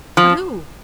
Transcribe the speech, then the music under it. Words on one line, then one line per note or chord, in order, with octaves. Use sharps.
"But who?"
F3